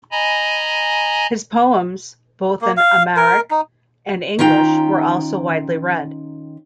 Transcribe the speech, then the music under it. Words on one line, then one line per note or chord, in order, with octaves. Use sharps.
His poems, both in Amharic and English, were also widely read.
D#5 G#5 A#5 B5
A#3
F5
A#4
D#4
D#3 C#4 F4 G5 A#5